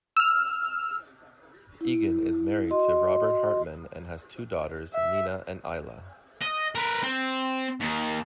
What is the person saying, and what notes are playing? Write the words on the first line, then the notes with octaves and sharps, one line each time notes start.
Egan is married to Robert Hartmann and has two daughters, Nina and Isla.
E6 F6
E4
F#4 D#5 C6
E5
D#5
A#4 B4
C4
D#2 D#3